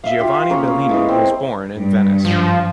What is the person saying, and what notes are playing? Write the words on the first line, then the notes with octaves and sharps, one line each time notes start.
Giovanni Bellini was born in Venice.
E5 F5
F4 G4
C#3 A#3 C#4 C#5
E3 G#3 B3
C4
G2
F3